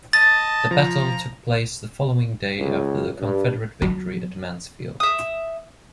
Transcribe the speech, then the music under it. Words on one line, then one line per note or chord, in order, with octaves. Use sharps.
The battle took place the following day after the Confederate victory at Mansfield.
D#5 A5 D#6 A6
F3 A#5
C#2
G2
F#3
E5 D#6